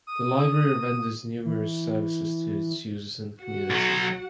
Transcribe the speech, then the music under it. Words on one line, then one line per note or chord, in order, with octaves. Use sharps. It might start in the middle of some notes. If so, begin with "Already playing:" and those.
The library renders numerous services to its users and community.
D#6
E3
F#4 F#5
B1 F#3